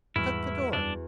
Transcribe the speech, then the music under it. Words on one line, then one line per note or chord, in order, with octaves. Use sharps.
Shut the door!
E2 G#2 G3 E4 F#4 F6
F#2 G3 D4